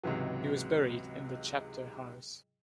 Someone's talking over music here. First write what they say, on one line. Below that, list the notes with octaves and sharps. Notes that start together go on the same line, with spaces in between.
He was buried in the chapter house.
C#2 G#2 C3 E3 F#3